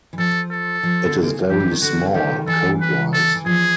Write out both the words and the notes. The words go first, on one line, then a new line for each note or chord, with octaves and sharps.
It is very small, code wise.
E3
F3 A4
A4
F3
D3
D3
C#3
F3 G4
E3
D#3
D3 F#4
D#3 G4
E3 A4
B4
A4
E3
F3 G#4